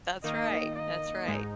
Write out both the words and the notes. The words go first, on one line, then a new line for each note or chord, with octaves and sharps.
That's right, that's right.
D#3 A#3 D#4 D#5
D#5
G#2 G#3 D#4